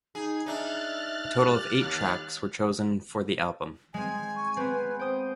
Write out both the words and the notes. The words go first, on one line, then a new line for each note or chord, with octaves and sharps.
A total of eight tracks were chosen for the album.
D#4 G#4
D4 D#4 E5 F6 F#6 A6
G4
D#2
G#3 C4 G#5
C#6
B3 C4 B4
C5 G5 D#6